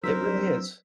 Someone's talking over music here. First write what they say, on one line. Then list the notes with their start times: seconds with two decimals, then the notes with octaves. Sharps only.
It really is.
0.03 F#3 C4 D4 D#4 A#4 C5 E6 B6